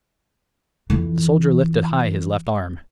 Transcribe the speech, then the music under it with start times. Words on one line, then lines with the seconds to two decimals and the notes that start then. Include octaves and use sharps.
The soldier lifted high his left arm.
0.90 F2 E3